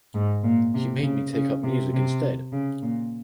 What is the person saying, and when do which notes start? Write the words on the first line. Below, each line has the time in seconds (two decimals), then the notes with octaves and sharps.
He made me take up music instead.
0.14 G#2
0.43 A#2
0.74 C3
1.03 C#3
1.33 C#3
1.64 C3
1.93 C3
2.52 C#3
2.82 A#2